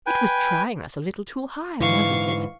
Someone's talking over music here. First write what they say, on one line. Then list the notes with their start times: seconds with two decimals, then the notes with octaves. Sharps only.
It was trying us a little too high, wasn't it?
0.06 B4 G5 G#5
1.81 G#2 D3 E3 F5 C#6